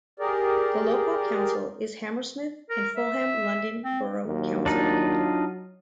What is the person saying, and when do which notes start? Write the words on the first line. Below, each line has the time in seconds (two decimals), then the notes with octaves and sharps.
The local council is Hammersmith and Fulham London Borough Council.
0.20 G4 G#4 A#4 D5
2.70 A#4
2.97 E5
3.85 C4
4.26 D#2 F#3
4.66 D4 D#4 F4